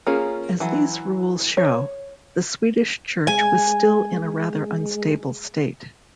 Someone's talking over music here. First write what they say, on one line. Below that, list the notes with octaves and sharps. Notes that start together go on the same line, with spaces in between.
As these rules show, the Swedish Church was still in a rather unstable state.
A#3 C#4 F4 G#4
E3 F#3
C#5
G#3 G#5